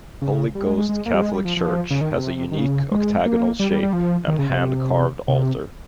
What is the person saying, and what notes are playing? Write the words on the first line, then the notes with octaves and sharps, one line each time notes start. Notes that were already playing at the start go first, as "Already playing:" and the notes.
Holy Ghost Catholic Church has a unique octagonal shape and hand-carved altar.
C#3
G3
G#3
G#3
G#3
A#3
G3
G#3
G3
F3
F3
C#3
D#3
C3
D#3
C#3
G#3
A#3
G3
G3
G3
F3
D#3
C#3
C3
C3